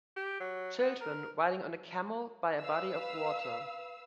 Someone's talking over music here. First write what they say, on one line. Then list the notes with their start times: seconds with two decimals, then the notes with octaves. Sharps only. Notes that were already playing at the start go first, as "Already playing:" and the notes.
Children riding on a camel by a body of water.
0.16 G4
0.40 F#3
0.79 B3
1.01 A#4
2.60 B4 F5 E6